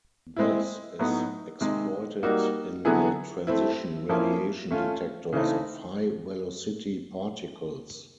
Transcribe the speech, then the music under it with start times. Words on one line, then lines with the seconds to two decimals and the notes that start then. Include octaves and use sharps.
This is exploited in the transition radiation detectors of high-velocity particles.
0.36 G#3 C4 E4
0.99 A2 F#3 B3 D#4
1.60 C3 D#3 G#3
2.23 G3 A#3 D#4 F#4
2.85 D3 F#3 B3 E4 G#4
3.47 A3 C4 E4
4.09 F3 A#3 C#4 E4
4.71 A3 C#4 F4
5.33 C#3 E3 A3 C4 D#4